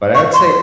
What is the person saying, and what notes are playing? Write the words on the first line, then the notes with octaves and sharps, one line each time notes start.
But I would say
C#6
C6